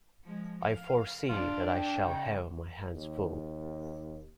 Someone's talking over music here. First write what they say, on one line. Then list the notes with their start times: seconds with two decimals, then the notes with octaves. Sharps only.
I foresee that I shall have my hands full.
0.24 F3 G#3
0.62 F5
1.29 D4 F4
1.72 G5
2.04 C#3 D#4
2.95 D#2